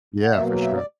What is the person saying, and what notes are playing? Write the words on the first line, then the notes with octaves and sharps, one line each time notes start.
Yeah, for sure.
F#5
B2 F#3 A#3 E5
E5
D5